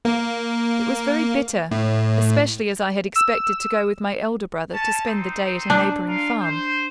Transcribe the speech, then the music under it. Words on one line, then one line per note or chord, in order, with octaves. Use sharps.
It was very bitter, especially as I had expected to go with my elder brother to spend the day at a neighbouring farm.
A#3
A2
E6
C#4 A5
C4 D#4 C5
D4
F4 A#4 F5
C5